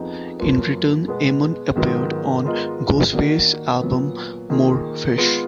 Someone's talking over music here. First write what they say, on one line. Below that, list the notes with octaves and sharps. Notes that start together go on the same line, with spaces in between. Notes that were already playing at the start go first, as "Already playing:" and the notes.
In return Eamon appeared on Ghostface's album "More Fish".
Already playing: F2 F3 B3 D#4 G#4
F#2 F3 A#3 F4 B4
B2 G#3 B3
G#2 D#3 F#3 B3 F4
G#3 B3 F4 A#4 D#5
D#3 A#3 D4 F#4
A#2 F#3 B3
D#3 A#3 F4 G#4
G#3 B3 F4 B4